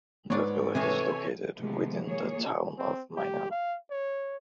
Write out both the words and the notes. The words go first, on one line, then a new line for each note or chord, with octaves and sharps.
The village is located within the Town of Minong.
G#2 B3 D4 F4 C#5 D5
C3 E3 A4 C#5 D#5 F5 G#5
C3 D#3 F3 G#3 A3 B3
A#3 G#4 C#5
C4
G4
F5
C#5